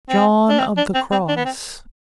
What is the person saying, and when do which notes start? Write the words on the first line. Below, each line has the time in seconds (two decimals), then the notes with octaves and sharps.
John of the Cross.
0.08 C4
0.49 D4
0.59 C4
0.77 D4
0.94 C4
1.11 C4
1.28 D4
1.37 B3
1.45 C4